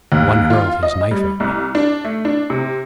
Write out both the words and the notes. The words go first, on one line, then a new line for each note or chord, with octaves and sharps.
One hurled his knife at me.
D#2
F4
D#5
G3
C2
D4
A3
D4
C3